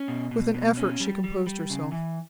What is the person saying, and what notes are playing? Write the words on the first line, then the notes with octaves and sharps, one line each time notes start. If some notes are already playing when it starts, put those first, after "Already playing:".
With an effort she composed herself.
Already playing: C#4
B2
B2
B2
C#4
G3
G3
G3
C#3
E3